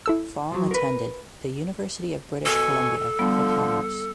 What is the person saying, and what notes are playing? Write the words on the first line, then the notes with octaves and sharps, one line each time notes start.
Fong attended the University of British Columbia for commerce.
E4 A4 E6
F3 F#3
A#4 B4
B2 A4 G#5 C#6
D3 F3 G3 B3